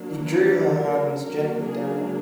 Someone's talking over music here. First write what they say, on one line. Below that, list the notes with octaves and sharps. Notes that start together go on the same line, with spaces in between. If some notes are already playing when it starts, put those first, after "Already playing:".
He drew her hands gently down.
Already playing: F#3 A#3 D4
B4
A#4
F#3 A#3 D4 A#4
G#4